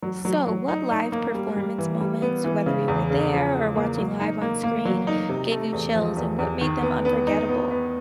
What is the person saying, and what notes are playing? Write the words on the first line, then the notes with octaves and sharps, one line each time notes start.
So, what live performance moments, whether you were there or watching live on screen, gave you chills, and what made them unforgettable?
F#3
F#3
F#3
D#4
D#4
A#3
G3
G3
E3
G3
B3
E3
C#3
E2
C#3
F3
C#3
A#3
F#3
D#4
A#3
A#3
F#3
D#4
C3
A3
E2
F3
E2
E2
D#3
B3
B3
D#4
B3
B3